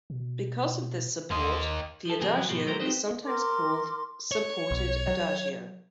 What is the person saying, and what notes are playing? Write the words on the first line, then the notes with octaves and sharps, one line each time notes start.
Because of this support the adagio is sometimes called "supported adagio".
B2
D#2 A#3 D#5 C6
F3 A4
F2 A2 C#3 F3 A#3 G#4
F3 F#3 C#4
G#2 B2 F3 G#3
F#3 A3 A#4 C5
C4 D#4 B4 C5 D#5
A#4 C6 D6
C#5
B1
F#3